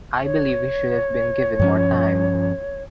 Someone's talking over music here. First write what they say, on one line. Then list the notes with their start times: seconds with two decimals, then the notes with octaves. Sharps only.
I believe he should have been given more time.
0.24 C#5
1.60 G2 F3 C#4